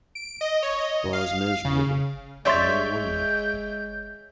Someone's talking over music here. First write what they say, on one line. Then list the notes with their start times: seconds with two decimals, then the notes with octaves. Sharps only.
Pa's miserable, and no wonder!
0.15 D7
0.41 D#5
0.63 C#5
0.79 D#5
1.13 F5
1.65 C#3
2.45 G#3 C#5 D5 E5 C6 G6 A6